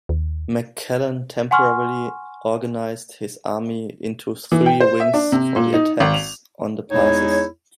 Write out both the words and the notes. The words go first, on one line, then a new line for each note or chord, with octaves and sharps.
McClellan temporarily organized his army into three wings for the attacks on the passes.
D#2
F#5 G#5 C6 C#6 F6
E3
G5
C5
E5
D4
C3
A#2
D#4
G#1
F7
E2 G#3 D#4 E4 C#5